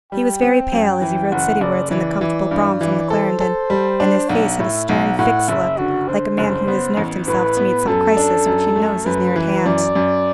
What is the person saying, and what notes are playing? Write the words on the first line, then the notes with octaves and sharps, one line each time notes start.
He was very pale as he rode citywards, in the comfortable brougham, from the Clarendon; and his face had a stern, fixed look, like a man who has nerved himself to meet some crisis, which he knows is near at hand.
G3 G5
C4
F#2
E3
F#1 F#5
F#1 D5
E3 D5
E3
G2
E3
A4 C5
A4
G3
D4
B1 F#5
A2 E5
B1 F#5
A2 F#5
F#1 E5
D3 F#4
D3 C5
F#1
B3
A1
A2 B4
B3
F#2 A4
D4
F#2
A3
F#2 B4
E3
F#2 D5
F#2